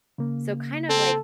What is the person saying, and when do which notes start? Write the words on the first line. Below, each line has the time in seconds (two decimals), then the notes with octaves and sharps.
So, kind of, like,
0.18 C#3 A#3
0.89 C4 A4